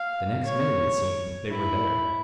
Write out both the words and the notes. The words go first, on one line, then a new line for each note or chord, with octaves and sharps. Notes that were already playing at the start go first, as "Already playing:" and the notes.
The next minute, it seemed, they were there.
Already playing: F5
C#5
E4